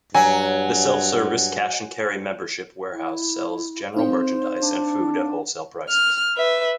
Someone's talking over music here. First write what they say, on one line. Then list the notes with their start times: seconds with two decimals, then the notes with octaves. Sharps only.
The self-service, cash-and-carry, membership warehouse sells general merchandise and food at wholesale prices.
0.14 G2 F#3 G#5
2.93 E4
3.94 C4 D#4 C5 F5
4.61 D4
5.89 F6
6.37 B4 E5